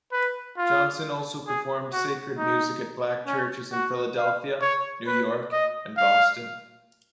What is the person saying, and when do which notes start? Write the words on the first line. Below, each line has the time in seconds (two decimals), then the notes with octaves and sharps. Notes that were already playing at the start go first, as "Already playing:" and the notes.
Johnson also performed sacred music at black churches in Philadelphia, New York, and Boston.
0.12 B4
0.57 F4
1.47 G#4
1.93 F#4
2.38 D#4
3.26 C#4
3.72 F#4
4.17 F5
4.62 C#5
5.07 B4
5.52 D#5
5.97 F5